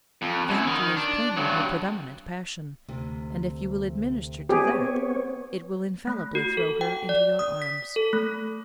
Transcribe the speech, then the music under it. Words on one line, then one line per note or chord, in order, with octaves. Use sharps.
Vanity is plainly her predominant passion, and, if you will administer to that, it will infallibly throw her into your arms.
F2
F#2 E4
D#3
D4
G2 F#3
D2 C3
B3 C4 G4 G#4 C#5
A3
F#4
A4
G5
D5
D#6
B6
A4
A3